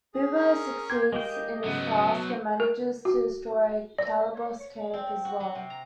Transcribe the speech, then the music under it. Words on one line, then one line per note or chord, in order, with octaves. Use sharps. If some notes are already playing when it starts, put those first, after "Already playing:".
Bubo succeeds in his task and manages to destroy Calibos' camp as well.
G#4
C#4 A#4
G4 G5 C6 G#6
G#3 G4 A#4 D#5 F5 G5
G#2 C#3 F#3 B3
A#4
F#4
D5
C4
F#4
F#3
C3
A#5